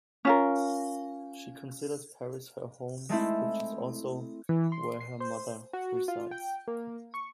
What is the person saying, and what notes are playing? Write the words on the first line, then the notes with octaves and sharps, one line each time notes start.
She considers Paris her home, which is also where her mother resides.
C#4 F4 A#4
G#3 A3 C4 E4
E3
C6
C7
C5
F#4
F4
G5
A#3
C#6